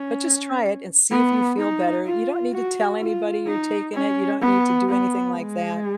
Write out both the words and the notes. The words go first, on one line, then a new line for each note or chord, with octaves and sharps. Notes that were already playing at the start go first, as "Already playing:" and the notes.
But just try it and see if you feel better. You don't need to tell anybody you're taking it. You don't need to do anything like that,
Already playing: C#4
B3
D#4
F4
F#4
F4
D#4
C#4
B3
B3
G#3